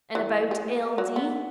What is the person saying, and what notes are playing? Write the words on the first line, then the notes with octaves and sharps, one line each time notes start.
"And about L. D.?"
E3
G#4
F#3
B3